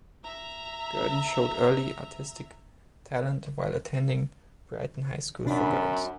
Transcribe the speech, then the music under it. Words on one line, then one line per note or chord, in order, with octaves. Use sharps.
Gurdon showed early artistic talent while attending Brighton High School for Girls.
E5 A#5
F#2 B2 D4 B5